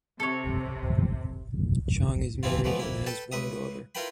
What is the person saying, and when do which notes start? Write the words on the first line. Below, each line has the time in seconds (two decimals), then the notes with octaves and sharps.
Chong is married and has one daughter.
0.20 C3 A4 C#5
2.43 C3 E3 F3 C4 E4 F4
2.64 C#2 E3 F3 A3 B3
2.80 F2 A#3 E4
3.06 A4 B4 G5 A5
3.32 C#2 B4 E5 D#6
3.95 E4 F4 A#4 B4 G5 B5